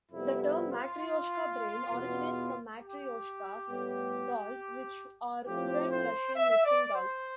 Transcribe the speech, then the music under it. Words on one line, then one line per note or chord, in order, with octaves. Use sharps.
The term "matrioshka brain" originates from matryoshka dolls, which are wooden Russian nesting dolls.
F2 C3 G3 B3 E4
E4
F4
E2 B2 B3
G4
A2 G3 B3
A2 F3 C4 G4
C5
E5
D5
C5